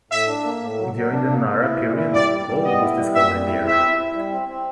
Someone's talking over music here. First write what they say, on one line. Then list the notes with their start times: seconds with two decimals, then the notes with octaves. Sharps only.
During the Nara period, gold was discovered in the area.
0.10 A2 E5
0.28 D4
0.44 A#3
0.62 A2
0.79 F#3
0.95 F#3
1.12 D4
1.29 A#3
1.46 A#3
1.62 E4
1.79 A#2
1.96 E4
2.12 G3 D5
2.30 G3
2.47 G3
2.63 B3 D#5
2.80 E4
2.97 G3
3.14 A#2 E5
3.31 G3
3.48 E4
3.64 C4 E5
3.81 E4
3.98 E4
4.15 G3
4.32 C4
4.49 C4